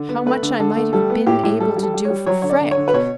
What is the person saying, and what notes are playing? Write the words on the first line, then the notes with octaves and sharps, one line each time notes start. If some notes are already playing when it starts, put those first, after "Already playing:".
How much I might have been able to do for Frank!
Already playing: D3
B3
A3 B4
D3
D3 A4
A3
G3 A4
B3
A2 G4
A2
G3 A4
G3
A4
G3
G3 C#5
F#3 C#5
D3 C#5
D5
D3
C#5
D3
B4
B2 C#5